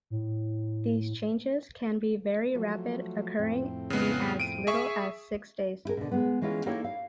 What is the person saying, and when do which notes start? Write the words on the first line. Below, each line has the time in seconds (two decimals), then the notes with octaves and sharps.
These changes can be very rapid, occurring in as little as six days.
0.10 A2
2.55 F3 F#3 A3
3.39 F2 A2 C4
3.90 C#3 B3
4.40 D7 D#7
4.67 G#4 E5 C#6
5.85 E4 G#4 A#4
5.97 B2 D3
6.11 G#3 B3
6.41 E3 G#3 C#4 E4 F4
6.66 A#3 D#4 E4 A4 C#5 G5
6.84 F5